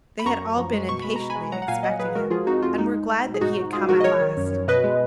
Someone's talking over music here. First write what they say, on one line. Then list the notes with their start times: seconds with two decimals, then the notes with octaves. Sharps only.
They had all been impatiently expecting him and were glad that he had come at last.
0.19 B5
0.25 F#2 A#5 C#6
0.41 F#2
0.57 F3
0.73 G#3
0.89 B2 C#6
1.02 G#3 B5
1.16 B2 A#5
1.30 G#5 B5
1.36 G#3
1.52 F#3 F#5 A#5
1.62 F#5
1.68 A#2 F5 G#5
1.83 F#3 D#5 F#5
1.99 F#3 G#4 B4
2.15 G#3 F#4 A#4
2.30 F3 F4 G#4
2.47 F2 D#4 F#4
2.62 F2 F4
2.78 G#3 D#4
2.94 G#3
3.10 G#3
3.26 B2
3.34 G#4
3.41 G#2 D#4 F#4
3.57 G#2
3.73 G#3 F4 G#4
3.89 F3 F#4 A#4
4.00 D#5
4.04 F#3 A#4 C#5
4.21 D#3
4.37 F#2
4.52 F#2
4.68 B2 B4 D#5
4.84 G#3